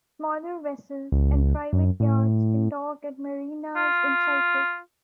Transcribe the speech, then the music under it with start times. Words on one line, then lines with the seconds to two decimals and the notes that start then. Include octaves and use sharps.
Smaller vessels and private yachts can dock at Marinas in Cyprus.
1.12 C#2
1.73 F#2
2.00 A2
3.76 F4